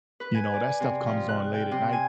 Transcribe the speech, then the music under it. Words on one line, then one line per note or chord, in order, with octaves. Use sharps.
you know, that stuff comes on late at night.
B4
G#5
D5
C3
F3
F#6
G5
C3
G#5